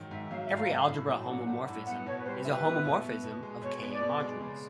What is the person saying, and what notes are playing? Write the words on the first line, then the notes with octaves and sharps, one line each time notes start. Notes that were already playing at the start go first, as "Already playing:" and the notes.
Every algebra homomorphism is a homomorphism of "K"-modules.
Already playing: G#2 D#3 F#3
G#2 E5
F#3 F5
E5
G#2 F5
A3
A2
F#3
D4 F#5
A3
A2
B3 F#5
B2 C#5
B4
G3 C5
E4 B4
B3
B2
B3
B2
G#3
B2 C#5
B3
D5
B2
G#3
C#3